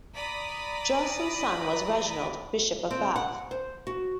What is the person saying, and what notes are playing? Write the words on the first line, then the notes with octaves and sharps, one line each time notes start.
Josceline's son was Reginald, bishop of Bath.
D5 A#5 B5 D#6
C4
F#5
C5
F#4